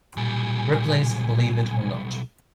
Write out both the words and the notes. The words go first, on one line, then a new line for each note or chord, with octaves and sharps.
Ripley's Believe It or Not!
B1 A#2 G3 G#5